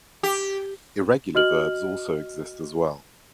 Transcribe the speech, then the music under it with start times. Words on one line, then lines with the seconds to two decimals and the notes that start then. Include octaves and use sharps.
Irregular verbs also exist as well.
0.23 G4
1.35 F#4 D#5 F6 F#7